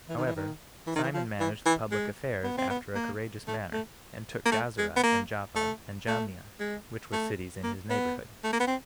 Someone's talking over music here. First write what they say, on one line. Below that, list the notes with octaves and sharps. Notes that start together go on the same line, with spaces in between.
However, Simon managed the public affairs after a courageous manner, and took Gazara, and Joppa, and Jamnia, which were cities in his neighborhood.
E3
D#3
E3
D#3
E3
D#3
E3
F3
E3
E3
G#3
B3
C4
B3
A#3
A3
A3
A#3
A3
G#3
B3
A#3
A3
A3
G#3
A3
A#3
B3
A3
A#3
B3
C4